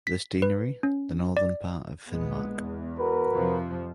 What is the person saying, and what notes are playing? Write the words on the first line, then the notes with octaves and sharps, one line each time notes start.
This deanery the northern part of Finnmark.
B6
B4
C#4
D5
A#1 G#3 B3
E2
F#4 A#4 B4
F2 C3 F3